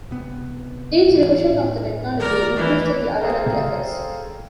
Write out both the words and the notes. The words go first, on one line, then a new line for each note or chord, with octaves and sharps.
Each revision of the technology increased the available effects.
C3 B3
G#2 E3
A2
D#3 A3 A#4 D5
E3
G#4 A4 C5 F5 G5 A#5